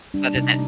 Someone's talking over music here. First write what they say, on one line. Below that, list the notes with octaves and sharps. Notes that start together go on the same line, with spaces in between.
Rather than
G3 D4
C3 D#4